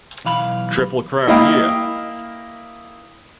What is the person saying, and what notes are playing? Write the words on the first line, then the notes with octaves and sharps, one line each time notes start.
Triple Crown year.
B1 E3 F5 B5
A#3 E4 D#5 F5 G5